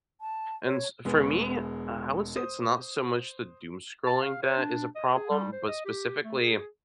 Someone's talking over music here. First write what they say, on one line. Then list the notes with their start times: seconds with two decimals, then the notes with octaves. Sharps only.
and s for me, uh, I would say it's not so much the doomscrolling that is a problem, but specifically
0.21 A5
0.66 C#5
1.05 E1 G#3 B3
2.36 C5 D#6
4.07 A5
4.22 F5
4.43 C#5
4.57 D4
4.96 D#5
5.15 G#4
5.31 G3
5.52 C5
5.68 D#5
5.86 G4
6.23 A3
6.39 G#4